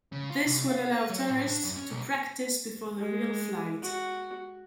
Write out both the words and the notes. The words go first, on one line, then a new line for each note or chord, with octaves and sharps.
This will allow tourists to practice before the real flight.
C#3
F4
C2
F5
B4
F#3
A2
D4
F#2
C#4
B1
G#3
F#4